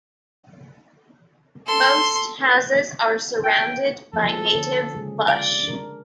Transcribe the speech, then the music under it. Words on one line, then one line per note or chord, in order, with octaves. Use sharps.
Most houses are surrounded by native bush.
A4 C6
G5
F3 A#3 C#4 A4
D3 C#4
C#3 G#3 G#4
F4 D5 F5
D4 A#4